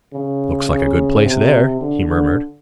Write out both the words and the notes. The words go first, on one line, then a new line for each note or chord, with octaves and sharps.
"Looks like a good place there," he murmured.
C#3
C#3
C3
D3
D3